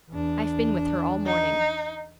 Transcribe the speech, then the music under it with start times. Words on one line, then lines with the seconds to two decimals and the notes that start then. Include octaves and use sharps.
I've been with her all morning.'
0.11 E2 D4
1.26 D#4